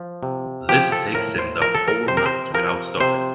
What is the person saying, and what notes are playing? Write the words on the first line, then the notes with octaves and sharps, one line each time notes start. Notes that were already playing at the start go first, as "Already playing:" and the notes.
This takes him the whole night without stopping.
Already playing: F3
C3
F3 G4
A4
A2 A#4
C5
F3 A#4
A4
A#4
C3 C5
A#4
C5
F3 A#4
C3 C5